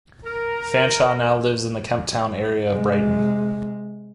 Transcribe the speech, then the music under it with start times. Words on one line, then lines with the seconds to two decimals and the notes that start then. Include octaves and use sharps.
Fanshawe now lives in the Kemp Town area of Brighton.
0.24 A#4
2.70 C3 G#3